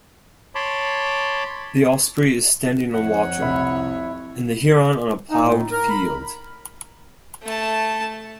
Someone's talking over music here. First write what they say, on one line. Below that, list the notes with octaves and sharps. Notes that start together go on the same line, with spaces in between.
The osprey is standing on water, and the heron on a ploughed field.
C#5 A5 B5 C6 D6
F2 C#5 F#5
C2 E4
D#4
A2
A#4
B5
A3 A5